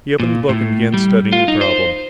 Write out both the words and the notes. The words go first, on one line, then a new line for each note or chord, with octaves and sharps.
He opened the book and began studying the problem.
A#2
A2
G3
F4
D#4
C5